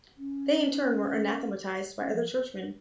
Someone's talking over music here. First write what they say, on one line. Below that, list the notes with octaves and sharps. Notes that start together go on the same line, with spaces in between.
They in turn were anathematized by other churchmen.
C#4
C#4
F3